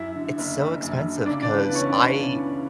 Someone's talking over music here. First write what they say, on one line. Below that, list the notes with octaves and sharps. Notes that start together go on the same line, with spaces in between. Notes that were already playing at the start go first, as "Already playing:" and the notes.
it's so expensive 'cause I
Already playing: F#2 E4 E5
D3
F#1
F#1
F#2
D3
C#3 D4 D5
D4 D5
E3
B3 B4
C#2 C#4 C#5
C#2 D4 D5
C#3
E3